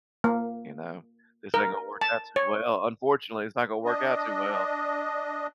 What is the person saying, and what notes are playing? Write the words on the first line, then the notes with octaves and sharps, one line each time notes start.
you know, this ain't gonna work out too well. Unfortunately, it's not gonna work out too well."
A#3
A#4
A5
C#5
D4 D#5